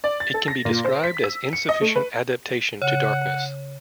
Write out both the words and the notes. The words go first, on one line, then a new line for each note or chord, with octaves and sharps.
It can be described as insufficient adaptation to darkness.
D5
A6
A4
A#6
A#2
C5
B6
E6
C#7
D#5
A3
B4
C#3 C#5 F#5